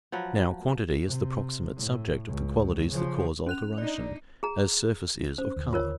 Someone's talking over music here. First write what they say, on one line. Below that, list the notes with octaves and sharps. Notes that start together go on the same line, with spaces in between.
Now quantity is the proximate subject of the qualities that cause alteration, as surface is of color.
F3 F#3 B4
C3
A2
C#2
C#3 F3
C#4 F#6 F7
D4 D#4 D5
G#4 A#5
C#4 C5
D#2 D3
F4 A#4 C#5